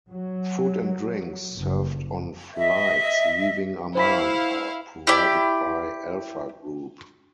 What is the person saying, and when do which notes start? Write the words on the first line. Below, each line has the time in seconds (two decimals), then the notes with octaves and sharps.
Food and drinks served on flights leaving Amman are provided by Alpha Group.
0.11 F#3
1.56 F#1
2.55 D#5 E5
3.95 E4 C5 F5 B5 B6
5.07 E4 G4 D5